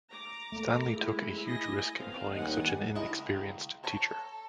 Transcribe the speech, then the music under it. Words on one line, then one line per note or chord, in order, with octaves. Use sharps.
Stanley took a huge risk employing such an inexperienced teacher.
A#5 D6
A3 A#3
C3 G#3 E4
D#5 G#5 A#6
A3 B3 C4 F5
D#2 G3 D#5 F#5 G#5
C#2 E4 D#5 A#5
A4 C5 C#5 A#5